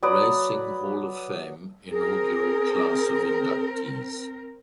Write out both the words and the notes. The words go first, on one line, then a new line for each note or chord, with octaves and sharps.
Racing Hall of Fame inaugural class of inductees.
F#3 B4 D5 D#6
C4 G#4 A#4